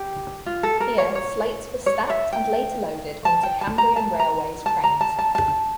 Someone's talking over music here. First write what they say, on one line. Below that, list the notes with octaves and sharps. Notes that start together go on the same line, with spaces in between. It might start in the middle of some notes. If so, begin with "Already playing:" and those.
Here slates were stacked and later loaded onto Cambrian Railways trains.
Already playing: G4
F4
A4
A#4
C#5
C#5
C#5
E5
G5
A5
G5
A5
A#5
A5
A#5
A5
A#5
A5
A5
A5